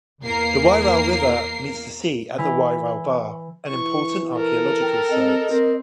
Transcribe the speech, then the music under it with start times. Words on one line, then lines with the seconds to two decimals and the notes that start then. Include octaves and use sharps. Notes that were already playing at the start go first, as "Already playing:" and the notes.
The Wairau River meets the sea at the Wairau Bar, an important archaeological site.
0.23 E2 A#3 A#4 C7
2.38 E3
3.68 E3 C#6
4.36 A4 A#4
4.82 G5
5.11 C4 D#5
5.51 C4 A#4